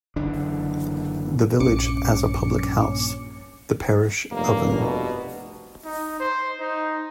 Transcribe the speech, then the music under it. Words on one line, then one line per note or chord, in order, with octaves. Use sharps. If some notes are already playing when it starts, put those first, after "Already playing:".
The village has a public house, the "Parish Oven".
F#1 D3 E3 D4
A#1 G2 C#4 D6 C#7
F1 G2 A#3
B2
D#4
C5
D#4